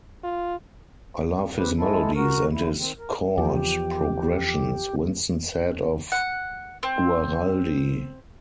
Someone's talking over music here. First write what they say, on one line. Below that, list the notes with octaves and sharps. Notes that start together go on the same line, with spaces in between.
"I love his melodies and his chord progressions", Winston said of Guaraldi.
F4
C4 G4 B4
G#3 E4 A4
F#4 A#4
D3 E4
D#3 C4
A#4
E2 F3 G4
F#5
C4